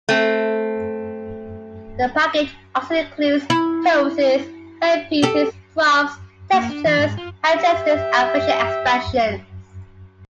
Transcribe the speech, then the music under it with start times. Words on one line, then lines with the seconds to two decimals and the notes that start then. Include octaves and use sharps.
The package also includes poses, hair pieces, props, textures, hand gestures and facial expressions.
0.09 A3 C4
3.50 E4
5.22 G4 A4
6.53 A#3
6.69 D4
6.86 E3
6.98 G#2
7.18 F4
7.54 G4 E5